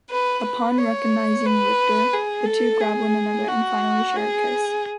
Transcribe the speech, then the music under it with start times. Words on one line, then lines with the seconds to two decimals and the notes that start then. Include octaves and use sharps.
Upon recognizing Rictor, the two grab one another and finally share a kiss.
0.10 B4
0.44 B4
0.78 C#5
1.45 B4
2.13 G#4
2.46 A4
2.80 G#4
3.47 F#4
4.16 G#4